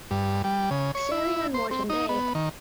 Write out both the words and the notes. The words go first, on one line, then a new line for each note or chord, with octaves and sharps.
Sailing on Moreton Bay.
G2
G3
C#3
C#5
E4
C5
C4
D#4
B3
D#3